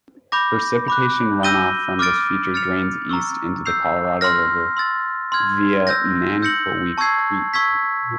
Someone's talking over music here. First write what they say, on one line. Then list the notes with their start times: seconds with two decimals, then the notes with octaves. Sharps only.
Precipitation runoff from this feature drains east into the Colorado River via Nankoweap Creek.
0.32 B5 D6 G6 A#6
0.88 B5 D6 F#6
1.43 E6 G6 A#6 D#7 G7
1.99 D6 F6 A6 D7
2.54 F6 A6 C#7 F7
3.09 A#5 C#6 E6
3.65 E6 G6 C7 F7
4.21 C6 F6 A#6
4.77 C6 E6 A6
5.32 C6 F6 G#6
5.87 E6 G6 A#6
6.42 E6 G6 A#6 C#7 F#7
6.98 A5 C#6 E6 G#6 C7
7.54 C#6 E6 G#6 B6